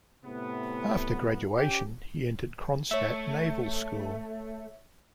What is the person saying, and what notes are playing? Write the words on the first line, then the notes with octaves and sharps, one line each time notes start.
After graduation, he entered Kronstadt Naval School.
A2 C3 B3
C#4 G4
A3 C#5 E5